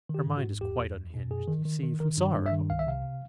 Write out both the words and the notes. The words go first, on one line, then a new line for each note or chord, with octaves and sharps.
Her mind is quite unhinged, you see... from sorrow.
D#3
G4
G#2
F#4
G#2
E2 G4
E2
E2
B2
F#2 G#4
D#3
D#3
D#3
D#3 A#4
G2
G2
E5
D#3
C2 F5
E5
C3 F5